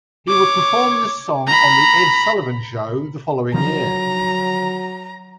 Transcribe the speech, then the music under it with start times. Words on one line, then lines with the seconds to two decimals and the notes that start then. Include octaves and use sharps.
He would perform this song on The Ed Sullivan Show the following year.
0.29 C#5 D6
1.47 A#5 B5
3.54 D3 D#3 F3 F#3 A#5